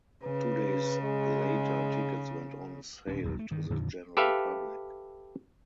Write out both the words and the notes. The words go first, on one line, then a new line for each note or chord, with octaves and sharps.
Two days later tickets went on sale to the general public.
C#3 B4
G#3
D#1 C#4 D4
D#1 B1 F2
A3
G2 D#3
F2 A#2 D3 D#3
G4 A4 B4 E5 F5